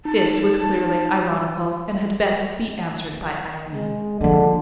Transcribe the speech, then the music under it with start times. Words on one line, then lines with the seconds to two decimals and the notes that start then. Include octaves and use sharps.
This was clearly ironical, and had best be answered by irony.
0.05 D#4 A5
3.75 G#3
4.21 D3 F3 A#3